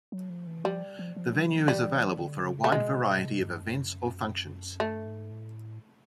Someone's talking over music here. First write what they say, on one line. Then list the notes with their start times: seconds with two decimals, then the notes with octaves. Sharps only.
The venue is available for a wide variety of events or functions.
0.12 F#3
0.30 F3
0.47 E3
0.64 F3 G3
0.99 F3
1.16 F3
1.33 F#3
1.51 F3
1.68 E3 G3
2.20 D3
2.46 C#3
2.64 A3
2.72 B2 G#3
2.98 B2
3.24 C3
3.41 G2
3.58 F#2
4.80 G2 A3
5.06 G#2
5.31 A2